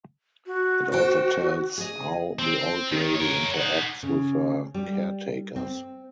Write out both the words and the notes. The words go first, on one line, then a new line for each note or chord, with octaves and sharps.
It also tells how the old lady interacts with her caretakers.
F#4
A4 C5 G5
G#4 D#5
C4
D#3
A#4 C#5
D#4 F#5
C#3
G3
C4